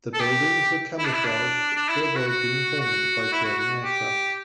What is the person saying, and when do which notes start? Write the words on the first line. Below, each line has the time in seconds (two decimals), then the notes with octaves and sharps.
The buildings were camouflaged to avoid being bombed by German aircraft.
0.14 A4
0.20 G4
0.99 E4
1.05 D4
1.14 E4
1.25 D4
1.76 D4
1.89 E4
2.02 E4
2.16 F#4
2.28 F#4
2.80 F#4
3.33 E4
3.45 F#4
3.59 F#4
3.84 G4